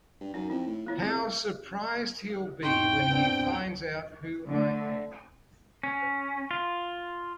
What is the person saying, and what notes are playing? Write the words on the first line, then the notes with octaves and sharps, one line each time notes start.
How surprised he’ll be when he finds out who I am!
G2
F#2 D#4
F2 E4
A2
F3 B3 E4 C#5
C3 G#4
E2 G#2 D#4 G5 C6 C#6
B3 C4 D4
D3 A3
C#4
F4